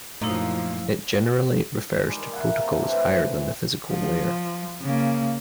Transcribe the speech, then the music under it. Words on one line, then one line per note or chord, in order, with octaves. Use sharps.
It generally refers to protocols higher than the physical layer.
F#2 A#2 F3 A3 D#4 E4 F5
D#3 G3 G#3
A#3 E4 A#4 F#5
C3 E5 A5 A#5
E3 A3 C4 D4
F3
C#3 A#3